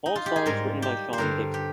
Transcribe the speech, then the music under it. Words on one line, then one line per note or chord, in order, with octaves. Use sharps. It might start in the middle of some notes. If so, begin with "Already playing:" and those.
All songs written by Sean Dickson.
D#4
F4
G4
G#4
G#2 G3 A#4
G4
C5
G2 D3 G3 A#4
G4